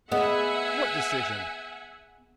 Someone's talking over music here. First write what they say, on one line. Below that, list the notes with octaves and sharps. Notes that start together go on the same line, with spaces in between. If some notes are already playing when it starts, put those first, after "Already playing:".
What decision?
B3 G#4 D#5 E5 F#5 G#5 D#6